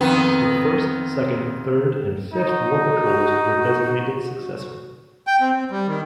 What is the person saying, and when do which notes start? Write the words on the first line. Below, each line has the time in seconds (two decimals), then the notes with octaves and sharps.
Her first, second, third, and fifth war patrols were designated successful.
0.01 F2 D#3 B3
2.34 D#4 F#4
5.27 G5
5.40 C4
5.54 C4
5.71 G3
5.87 D#3